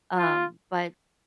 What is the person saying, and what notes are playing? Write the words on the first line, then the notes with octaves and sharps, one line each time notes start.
Um, but
F4